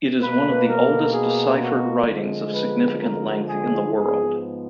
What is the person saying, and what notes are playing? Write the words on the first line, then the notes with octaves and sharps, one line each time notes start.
It is one of the oldest deciphered writings of significant length in the world.
B2 A#3 B4
A#4
G#4
F#4
D3 F3 G#3
B4
A#4
G#4
G#2 F3 B3 G#4